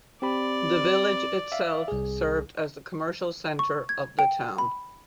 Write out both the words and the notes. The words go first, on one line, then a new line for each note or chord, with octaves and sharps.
The village itself served as the commercial center of the town.
C4 G4 D5 B5
E5 F5
C2 G#4
C#6
G#6
G5
B5